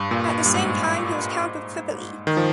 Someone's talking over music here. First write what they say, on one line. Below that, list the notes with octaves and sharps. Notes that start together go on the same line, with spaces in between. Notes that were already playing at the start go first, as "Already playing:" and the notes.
At the same time he was Count of Tripoli.
Already playing: G2
A#2
G2
G#2
D#3
F3